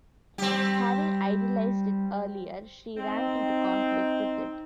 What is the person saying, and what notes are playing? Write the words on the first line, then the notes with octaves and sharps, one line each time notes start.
Having idealized it earlier, she ran into conflict with it.
G3 C4 G4
C4 D#4